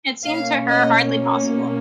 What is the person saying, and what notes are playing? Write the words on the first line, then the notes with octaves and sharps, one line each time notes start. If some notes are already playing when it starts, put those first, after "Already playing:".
It seemed to her hardly possible.
B2 A#3 C#4 F5
D#5